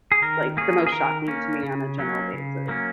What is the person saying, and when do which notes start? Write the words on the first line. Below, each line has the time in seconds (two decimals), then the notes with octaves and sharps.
like, the most shocking to me on a general basis.
0.12 G#4
0.22 D#3 A#4
0.57 A#3 C#4 G#4
0.87 G#4
0.92 D#3 A#4
1.28 A#3 C#4
1.63 C#3
1.99 F#3 A#3 C#4
2.33 C#3
2.68 F#3 A#3 C#4